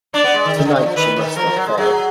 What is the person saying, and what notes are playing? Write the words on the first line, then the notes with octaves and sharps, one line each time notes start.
Tonight she must not fail.
D4 D5
B3
G#3
D#3
D#3
D3
D3
F3
D#3 B4
D#3
F3 A#4
F3
F#3
G#3
F#3 G#4